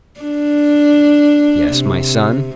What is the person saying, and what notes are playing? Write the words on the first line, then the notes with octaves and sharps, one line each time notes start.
"Yes, my son?"
D4
C3